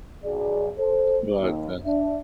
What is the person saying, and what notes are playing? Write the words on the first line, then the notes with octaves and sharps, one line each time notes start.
but, uh
B1 G#4 D5
A4 C5
D#2
D4 E5